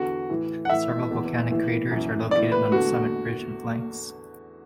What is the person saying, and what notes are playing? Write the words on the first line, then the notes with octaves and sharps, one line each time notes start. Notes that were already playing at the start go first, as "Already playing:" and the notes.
Several volcanic craters are located on the summit ridge and flanks.
Already playing: E2 D3 F#4
A2 E3
F#5
A2 E3 E5
E2 E3
A2 E3
F#2 E3
A2 E3 D5
B4
E2 D3 F#4